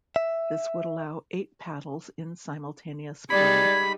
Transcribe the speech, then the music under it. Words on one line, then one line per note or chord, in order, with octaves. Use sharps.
This would allow eight paddles in simultaneous play.
E5
G3 G#3 D#4 D5 B5 G#6